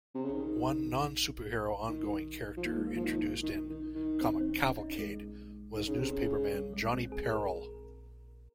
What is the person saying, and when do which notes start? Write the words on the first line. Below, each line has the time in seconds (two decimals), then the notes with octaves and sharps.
One non-superhero ongoing character introduced in "Comic Cavalcade" was newspaperman Johnny Peril.
0.15 C3
0.25 C#3
0.33 D#3
1.89 D#3
2.57 F3
2.66 D#3 A#3
2.76 G#3
2.87 A#3
2.96 F3
3.05 D#3
3.43 D#3
3.69 D#3
3.95 D#3
4.21 C4
4.41 C4
4.60 C#4
4.79 D#4
4.99 G#3
5.76 D#3
5.88 C#3
5.99 C3
6.12 C#3
6.54 G3
6.73 G#3
6.93 C4
7.12 G#4
7.31 A#4